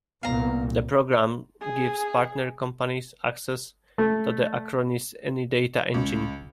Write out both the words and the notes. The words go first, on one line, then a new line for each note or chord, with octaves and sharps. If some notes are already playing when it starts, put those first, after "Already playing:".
The program gives partner companies access to the Acronis AnyData Engine.
C2 A#2 B3 F5 A#5
G#4
A3
C#2